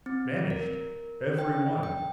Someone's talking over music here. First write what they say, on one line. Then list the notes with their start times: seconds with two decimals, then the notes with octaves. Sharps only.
Vanished, every one!
0.06 C4
0.50 A#4
1.39 G5
1.83 G5